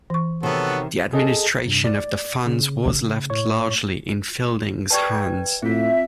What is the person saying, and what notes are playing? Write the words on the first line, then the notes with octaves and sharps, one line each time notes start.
The administration of the funds was left largely in Fielding's hands.
E3 C#6
C3 D#3 B3 F#4 A4 C#5
G#4 A4 D#5 A5
G2 C3
D5
C#3
A2 C#5 C#6
G4 B4 D5 G5 A5 G#6
A2 C4 F4 E5